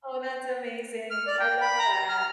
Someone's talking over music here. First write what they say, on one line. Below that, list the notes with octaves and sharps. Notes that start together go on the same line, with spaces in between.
Oh, that's amazing, I love that.
F6
D5
G5
B5
A#5
A#5
F6